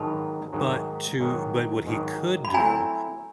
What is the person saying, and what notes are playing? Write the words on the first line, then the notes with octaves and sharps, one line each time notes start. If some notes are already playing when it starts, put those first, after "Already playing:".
But to but what he could do,
Already playing: G#2 D#3 F#3 A5 B5
G#2 D#3 F#3
G#2 D#3 F#3
G#2 D#3 F#3
B5
F#3 A3 C4 E4 G#5 A#5